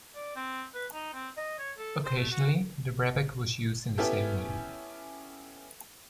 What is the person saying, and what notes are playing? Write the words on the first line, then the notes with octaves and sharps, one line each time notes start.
Occasionally, the rebec was used in the same way.
D5
C4
B4
D#4
C4
D#5
C#5
A4
C5
A3
F#4
B3 C#4 E4 G4 A4